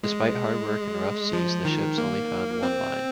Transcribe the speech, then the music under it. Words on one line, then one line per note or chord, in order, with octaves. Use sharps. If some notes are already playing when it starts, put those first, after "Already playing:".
Despite hard work in rough seas, the ships only found one mine.
G#3
F3
D#3
A#3
C4